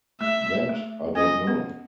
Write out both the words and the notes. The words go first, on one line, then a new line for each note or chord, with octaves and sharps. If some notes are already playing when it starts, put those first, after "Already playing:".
That I don’t know.
A3 E5
A3
C#4 D#5
B3